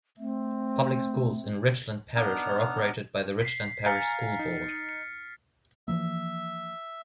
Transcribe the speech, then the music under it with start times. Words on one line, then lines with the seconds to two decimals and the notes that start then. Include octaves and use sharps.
Public schools in Richland Parish are operated by the Richland Parish School Board.
0.19 A3 C4
2.15 B3 D4 D#4 F6
3.42 B6 C7
3.86 F5 G#5 A#5 F6 A6 C#7
4.39 D#4
4.89 C#7
5.88 E3 F3 A#3 E5